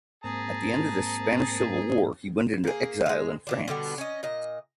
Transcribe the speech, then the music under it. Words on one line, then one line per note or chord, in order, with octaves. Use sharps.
At the end of the Spanish Civil War he went into exile in France.
G#2 A#3 C4 G#4 A5 A#5
A#3 G#4
F3 G#3
E3 F3 D4
B2 D3 G3 B3
C#4 D#5
A#2 D#5